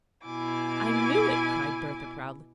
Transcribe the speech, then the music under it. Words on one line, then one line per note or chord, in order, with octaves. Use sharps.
"I knew it!" cried Bertha, proudly.
B2 E4 G#5 D6